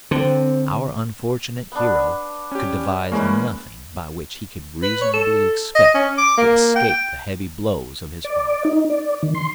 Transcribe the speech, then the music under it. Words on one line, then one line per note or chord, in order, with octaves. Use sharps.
Our unfortunate hero could devise nothing by which he could reasonably expect to escape the heavy blows of his father.
D3 C4
B3 D4
C#4 G4
E3 G#3 A#3 C#4 B4
B4
C#5
A4
D#5
C#4
D6
A#3
G5
D5
D#4
D5
D#3
C6